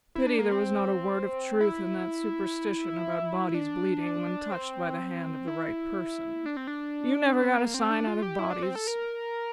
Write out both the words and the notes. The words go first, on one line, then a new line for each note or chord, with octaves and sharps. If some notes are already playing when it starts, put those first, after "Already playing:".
Pity there was not a word of truth in that superstition about bodies bleeding when touched by the hand of the right person; you never got a sign out of bodies.
E4
D4
A#3
C4
E4
D4
C4
E4
D4
C4
D4
C4
A#3
C4
D4
F4
G4
E4
D4
C4
A4
A#4